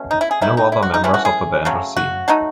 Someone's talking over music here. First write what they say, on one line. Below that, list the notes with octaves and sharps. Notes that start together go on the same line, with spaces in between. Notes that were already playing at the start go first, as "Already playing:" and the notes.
No other members of the band are seen.
Already playing: B2 A3 C#4
D#4
E4
G#4
D#3 F#3 B3 D#4 E4
D#4
E4
F#4
D#4
E3 A3 C#4 E4
F#4
G#4
C#3 F#3 A3
F#4
F#3 A3 D#4